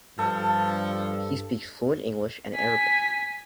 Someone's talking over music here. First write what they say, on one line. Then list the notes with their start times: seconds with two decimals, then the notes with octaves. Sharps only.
He speaks fluent English and Arabic.
0.19 G2 F3 A4
2.55 G#5 B6